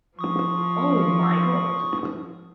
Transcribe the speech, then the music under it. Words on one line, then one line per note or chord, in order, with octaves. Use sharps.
Oh, my God!
F3 C#6 D#6